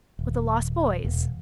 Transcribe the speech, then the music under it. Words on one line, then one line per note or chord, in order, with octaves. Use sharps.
"With the lost boys."
D#1
E1